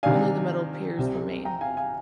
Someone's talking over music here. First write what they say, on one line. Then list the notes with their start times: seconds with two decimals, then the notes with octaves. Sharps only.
Only the metal piers remain.
0.03 C3 D#3 G3 D4 F5 G#5
0.98 C2 C3 G3 C4
1.45 G5 A#5
1.61 F5 G#5
1.77 F5 G#5